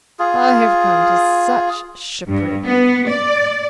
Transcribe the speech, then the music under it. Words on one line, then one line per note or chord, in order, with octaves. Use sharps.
I have come to such shipwreck!
F4 G#4
G2
B3
D5